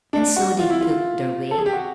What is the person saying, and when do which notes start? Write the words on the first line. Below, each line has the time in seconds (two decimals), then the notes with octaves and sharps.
And so they took their way.
0.13 D4
0.36 F#4
0.59 F4
0.70 E4
0.81 F4
1.51 A4
1.58 G#4
1.66 G4
1.73 F#4